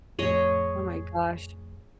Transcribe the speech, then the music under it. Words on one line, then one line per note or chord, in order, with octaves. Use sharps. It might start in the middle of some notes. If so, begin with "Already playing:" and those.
Oh my gosh.
F2 A2 G#4 C#5 D#5